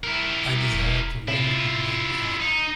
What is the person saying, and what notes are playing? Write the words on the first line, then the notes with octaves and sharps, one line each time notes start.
I desire to leave a good name behind me.
E4 A#4
E1
C3 E4 F4
D#4